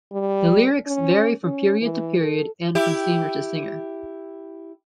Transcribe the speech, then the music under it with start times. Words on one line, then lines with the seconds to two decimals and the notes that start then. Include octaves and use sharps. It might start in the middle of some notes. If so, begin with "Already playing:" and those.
The lyrics vary from period to period and from singer to singer.
0.13 G3
0.87 C#4
1.43 C#4
1.81 E3
2.20 A4
2.75 E4 G4